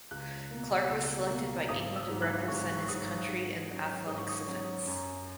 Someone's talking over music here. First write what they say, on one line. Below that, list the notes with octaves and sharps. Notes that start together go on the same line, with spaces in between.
Clarke was selected by England to represent his country in Athletics events.
C#2 F#6
B2 A#3
C#2 E6
B2 A#3
G#1 D#6
E6
G#2 F#3
F#6
G#1 C#6
C#6
G#2 F#3 D#6
G#2
F#3 C#4
G#2 D#6
C#6
D#6
F#3 C#4
F#2